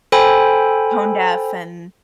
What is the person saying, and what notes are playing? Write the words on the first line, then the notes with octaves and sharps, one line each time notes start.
tone deaf and,
A4 C5 G5 G#5 B5